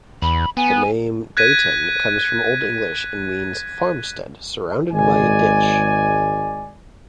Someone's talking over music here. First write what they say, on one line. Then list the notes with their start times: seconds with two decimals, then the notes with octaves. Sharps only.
The name Deighton comes from Old English and means "farmstead surrounded by a ditch".
0.22 E2 B5
0.57 B3 G#5
1.37 F#6 G#6 A#6 B6 D#7
4.93 G#1 G#3 D5 G#5